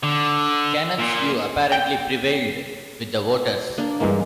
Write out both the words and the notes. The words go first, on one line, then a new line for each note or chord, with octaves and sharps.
Cannon's view apparently prevailed with the voters.
D3
A#2
G5
A#3 D4
G2 E3 G#3 A#3